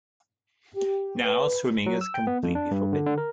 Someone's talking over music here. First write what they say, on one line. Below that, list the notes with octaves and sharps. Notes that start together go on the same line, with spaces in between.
Now swimming is completely forbidden.
G4
B4
F#3
E6
G5
B3
F2
D4
G2
D3
D3
A#4